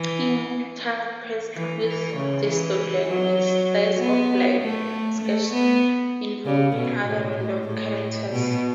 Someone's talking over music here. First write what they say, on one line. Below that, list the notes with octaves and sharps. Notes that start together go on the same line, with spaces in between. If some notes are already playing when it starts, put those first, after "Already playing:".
Interspersed with this storyline were "slice-of-life" sketched involving other random characters.
Already playing: E3
E3
E3
C#3
E3
F#3
B3
A3
A3
B3
C#3
B2
A2
A2
A2
B2